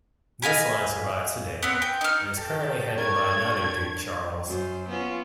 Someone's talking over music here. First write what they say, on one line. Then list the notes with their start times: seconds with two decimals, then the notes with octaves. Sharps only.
This line survives today, and is currently headed by another Duke Charles.
0.42 D#5 F5 G#5 B5
1.63 B3 C4
1.82 G5
2.01 D#4 F6
2.37 G4 A4
2.98 G2 A#4 C#5 G#6
4.47 F#2 C5
4.89 B3 C#4 F4